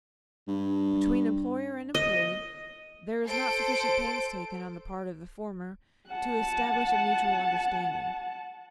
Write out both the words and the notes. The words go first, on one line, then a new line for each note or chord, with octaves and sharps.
Between employer and employed there is not sufficient pains taken on the part of the former to establish a mutual understanding.
G2
D#5
A4 C5 D7
F#5 A5